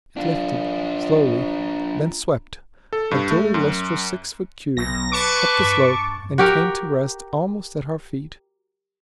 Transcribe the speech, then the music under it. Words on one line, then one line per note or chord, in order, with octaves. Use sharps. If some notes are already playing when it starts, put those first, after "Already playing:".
It lifted, slowly; then swept, a dully lustrous six-foot cube, up the slope and came to rest almost at our feet.
D4 F4
A4
G2
A3
F#2
B1 A#6
B4 A5 C#6 D6
G2
F#4 G4 A#4